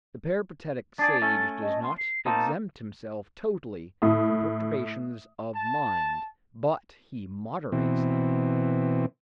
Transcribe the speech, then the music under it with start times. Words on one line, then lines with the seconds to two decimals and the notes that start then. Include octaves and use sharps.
The Peripatetic sage does not exempt himself totally from perturbations of mind, but he moderates them.
0.99 D4 G#4 D5 A6
1.22 A3 C#4 A4
1.62 D#5
1.83 C6
1.98 C7
2.26 A#3 C4 D#4 A5
4.02 A2 D#6
5.54 A5
7.72 B2 E3 C4